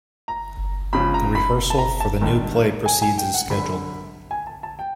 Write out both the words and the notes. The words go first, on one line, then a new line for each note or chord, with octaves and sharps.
The rehearsal for the new play proceeds as scheduled.
A#5
C#2 C#3 F3 B5
A#5
B5
A5
A#5
A5
G#1 G2 D#3
G#5
G#5
G5
F#5
G1 F#2 D3 B5
G#5
A5
A5
G5